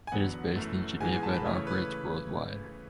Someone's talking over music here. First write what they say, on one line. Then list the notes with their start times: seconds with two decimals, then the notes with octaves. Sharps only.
It is based in Geneva and operates worldwide.
0.07 G#5
0.12 E2 D3 F#3 B3 F#5
0.56 F#2 E3 A3
1.00 G#2 E3 G#3 B3 G#5
1.12 G#5
1.23 A5
1.34 B5
1.45 C#3 E3 A3 C#5
1.67 B4